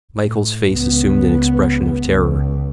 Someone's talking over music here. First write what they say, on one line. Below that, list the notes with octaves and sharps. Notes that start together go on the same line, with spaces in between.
Michael's face assumed an expression of terror.
A2
C#2 B3
C#2